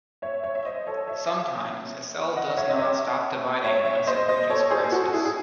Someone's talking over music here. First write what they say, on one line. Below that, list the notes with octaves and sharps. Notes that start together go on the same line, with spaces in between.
Sometimes, a cell does not stop dividing once it reaches crisis.
C#5 E5
C#5 E5
E5
C5 D#5
A4 C#5
C#5 E5
D#5 F#5
C#5 E5
D#5
C#5 E5
C#5 E5
C#5 E5
E5
C5 D#5
C5 D#5
A4 C#5
G#4 C5
F#4 A4
A4
E4 G#4
G#4